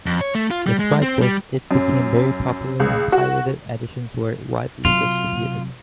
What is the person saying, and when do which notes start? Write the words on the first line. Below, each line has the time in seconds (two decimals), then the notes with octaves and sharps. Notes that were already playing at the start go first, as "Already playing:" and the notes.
Despite this, it became very popular and pirated editions were widely distributed.
0.06 F2
0.21 C#5
0.35 A3
0.51 F4
0.67 G3
0.79 G#3
1.02 C4
1.22 G3
1.71 F#2
2.80 C#2
3.12 F#4
4.85 C3 F#3 F4